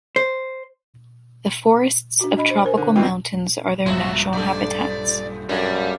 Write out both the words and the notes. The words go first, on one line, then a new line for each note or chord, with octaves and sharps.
The forests of tropical mountains are their natural habitats.
C5
D4 F#4
D4 D#5 B5
C5
A#4 C5 G#5
D3
B2 E3 C4 F4 G5
A#1 G2 C3 G#3 F#4 E5
F#2 A4 D5
F#2 G3 A3 A#3 D4